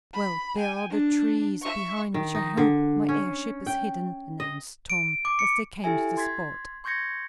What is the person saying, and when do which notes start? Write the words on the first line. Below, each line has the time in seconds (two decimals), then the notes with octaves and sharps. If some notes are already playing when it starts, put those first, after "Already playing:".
"Well, there are the trees behind which I hope my airship is hidden," announced Tom, as they came to the spot.
0.13 B5
0.57 G5 G#5
0.90 D4
1.62 E5 C#6
2.14 D#3
2.35 D#4
2.57 D3
3.09 C#4
3.66 G5
4.40 D#5
4.90 D7
5.25 D6
5.39 C#7
5.84 E4 G4 A4 E5 G#5
6.17 C6 G#6 A6 B6
6.84 C6 C#6 G6 G#6 A#6 C#7